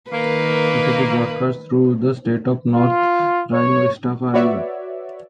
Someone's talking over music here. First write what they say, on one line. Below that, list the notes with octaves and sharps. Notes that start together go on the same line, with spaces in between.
It is broadcasted throughout the state of North Rhine-Westphalia.
D#3 A#3 B4
F4
C#5
F#4 B4 C#5 D5 E5